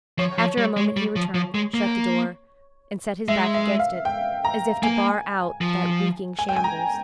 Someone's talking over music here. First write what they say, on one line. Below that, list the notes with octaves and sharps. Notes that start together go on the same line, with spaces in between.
After a moment he returned, shut the door, and set his back against it, as if to bar out that reeking shambles.
F3 C#5
F3
G3
G#3
G3
F3
F3
G#3
A#3
G#3 E5
E5
F5
G5
A#5
A#3 G#5
F3
G#5
G5
G#5
A#5